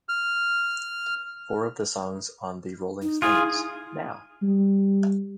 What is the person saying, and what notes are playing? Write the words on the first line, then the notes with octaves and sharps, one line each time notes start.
Four of the songs on The Rolling Stones, Now!
F6
D#4
E4 F4 G#4
G3